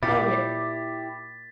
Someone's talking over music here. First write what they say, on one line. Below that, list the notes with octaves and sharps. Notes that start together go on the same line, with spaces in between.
Oh ye
A#2 E4 G4 D6 A6 B6